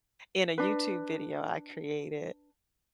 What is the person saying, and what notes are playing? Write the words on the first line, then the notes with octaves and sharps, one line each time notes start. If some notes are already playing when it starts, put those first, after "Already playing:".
in a YouTube video I created,
D4 B4